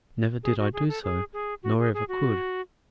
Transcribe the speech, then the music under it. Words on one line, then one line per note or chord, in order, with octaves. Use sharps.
Never did I do so, nor ever could.
G#4
F#4
G#4
A4
G#4
G#4
F#4
G#4
G#4
F#4